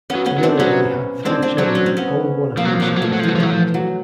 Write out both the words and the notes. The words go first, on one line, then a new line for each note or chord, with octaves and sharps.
Together they had three children, only one of whom survived to adulthood.
B3 C#4
F#3
B3 C#4
F#3
C4 D4
F#3 B3 C#4
G#3 C4 D4
C4 D4
F#3 C4 D4
C#4
C4
B3 C#4
F3 A#3 C4
F#3
F3
F#3 A#3
F3
F#3
F3 A3
F#3
F3
E3 F#3
F3
E3 F#3
F3
F#3